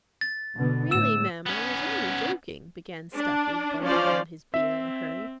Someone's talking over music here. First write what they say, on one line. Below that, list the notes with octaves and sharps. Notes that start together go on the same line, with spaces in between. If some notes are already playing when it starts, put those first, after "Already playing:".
'Really, ma'am, I was only joking,' began Stuffy, gulping down his beer in a hurry.
A6
B2 D3 B3
A2 E6 E7
B3 C#4
D4
F3 C#4 F4 C5 D5 F5
C4 E5